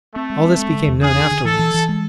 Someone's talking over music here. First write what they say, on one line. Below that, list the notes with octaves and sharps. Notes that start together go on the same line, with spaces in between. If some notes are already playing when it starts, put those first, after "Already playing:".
All this became known afterwards.
A3 C4
G#3
C4
G#3
D3
E2
D4 G#4
D4
D3
E3 A4
E3
E3
G#3